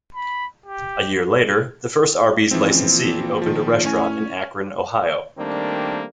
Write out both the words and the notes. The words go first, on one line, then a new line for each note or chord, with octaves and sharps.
A year later, the first Arby's licensee opened a restaurant in Akron, Ohio.
B5
G4
G#2 E3 F3 C4
C#2
A#2
D#3 F3
A2 C#4 C#5 G#5
D#3 G3 A3 A#3 C4 D4